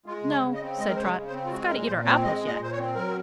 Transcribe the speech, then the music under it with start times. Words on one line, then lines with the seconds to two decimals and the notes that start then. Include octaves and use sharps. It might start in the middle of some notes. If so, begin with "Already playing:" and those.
"No," said Trot; "we've got to eat our apples yet."
0.06 G#3 F4
0.24 C#3
0.30 C#5
0.42 C#3
0.54 D#5
0.61 C4
0.78 G#3 D#5
0.87 A#4
0.96 C#3 C5
1.03 C#5
1.14 C#3
1.27 C5
1.32 C4
1.45 F4
1.51 G#3 F#4
1.68 A#2 A#4
1.86 A#2 C5
2.05 C4 C#5
2.24 G#3 D#5
2.42 A#2 D#5
2.59 A#2 C5
2.72 C#5
2.78 C4
2.95 F#3 A#4